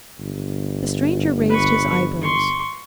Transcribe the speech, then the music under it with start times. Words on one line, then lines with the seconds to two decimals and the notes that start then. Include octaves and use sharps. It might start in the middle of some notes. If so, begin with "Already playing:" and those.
The stranger raised his eyebrows.
0.19 G1
1.49 B4 C#6
2.22 C6 C#6